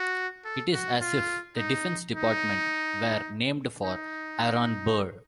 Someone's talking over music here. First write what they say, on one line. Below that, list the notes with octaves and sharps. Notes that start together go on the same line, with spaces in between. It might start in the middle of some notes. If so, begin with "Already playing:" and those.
It is as if the Defense Department were named for Aaron Burr.
Already playing: F#4
A4
F#4
F4
D#4
D#4
D#4